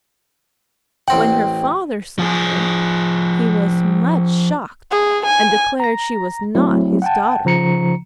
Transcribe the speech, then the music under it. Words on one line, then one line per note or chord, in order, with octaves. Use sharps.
When her father saw her, he was much shocked and declared she was not his daughter.
A1 C4 F#5 G5
F3 G#4
G#4
G#5
A#5 A#6
F#3 A3 C4 E4
F#5 G5 A5
C#3 F3 A#5 C#7